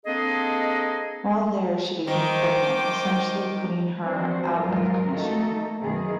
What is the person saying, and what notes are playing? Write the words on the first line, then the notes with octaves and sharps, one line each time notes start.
While there she became pregnant, essentially putting her out of commission.
A#3 C4 D4 G#4 A4 D#5
D#3 C5 G5 D6
F3 G3 C4 D4 F#4 C5
D#2 G#2 F#3 F4 A#4
A3 A#3 D#4 F#4 A4
F#2 B2 D#3 E3 G#4